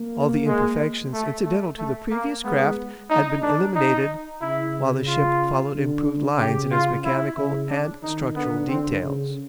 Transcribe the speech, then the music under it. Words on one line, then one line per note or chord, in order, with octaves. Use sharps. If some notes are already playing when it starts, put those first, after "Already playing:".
All the imperfections incidental to the previous craft had been eliminated, while the ship followed improved lines in its mechanical and structural details.
Already playing: A#3
G#3
A3
A3
A3
A#3
G#3 B3
D#4
D4
D#4
C#3 E4
F4
D3
C#3 G4
F4
E4
C#3 E4
D4
D#3 D#4
D3 B3
D3 C4
C#3